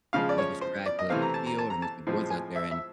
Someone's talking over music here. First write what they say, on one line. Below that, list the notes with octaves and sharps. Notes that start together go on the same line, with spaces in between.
like, this track where, like, there's field, and there's, like, woods out there, and,
C#3 F3 G#3 F5
D5
C#5
C5
D5
D#5
C3 E3 A3 C4 F5
A#5
A5
A#5
A5
A#5
A5
A2 F3 G#3 C4
G#5
E5
E5